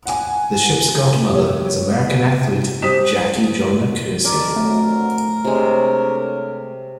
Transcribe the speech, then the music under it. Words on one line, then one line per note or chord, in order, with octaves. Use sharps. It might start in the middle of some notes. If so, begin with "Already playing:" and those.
The ship's godmother is American athlete Jackie Joyner-Kersee.
F#5 G#5
G4 C#5
G3 G4 C5 D#6 B6 E7
D#4 A4 A#4 D5
F2 D3 F#3 A3
C3 G#3 D4 A4 C#5